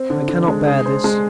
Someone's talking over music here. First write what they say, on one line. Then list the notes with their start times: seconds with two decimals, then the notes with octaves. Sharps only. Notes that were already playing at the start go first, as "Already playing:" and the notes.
I cannot bear this.
Already playing: C4
0.10 D3
0.29 D3
0.48 G#3
0.67 G#4
0.86 C5
1.04 G#3